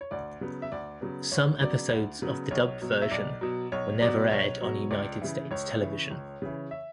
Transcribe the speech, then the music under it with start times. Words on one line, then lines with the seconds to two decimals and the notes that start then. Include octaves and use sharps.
Some episodes of the dubbed version were never aired on United States television.
0.01 C#5
0.11 D2 D5
0.41 C#3 F#3 B3
0.62 E5
0.72 D2 D5
1.01 C#3 F#3 B3
1.32 D2 C#5
1.61 C#3 F#3 B3 D5
1.91 D2
2.22 C#3 F#3 B3
2.51 B1 C#5
2.82 B2 F#3
3.02 E5
3.11 B1 D5
3.41 B2 F#3
3.72 B1 C#5
4.01 B2 F#3 D5
4.31 B1 C#5
4.61 B2 F#3
4.91 C#2 D5
5.21 C#3 E3
5.51 C#2 C#5
5.81 C#3 E3
6.11 C#2
6.42 C#3 E3
6.71 E5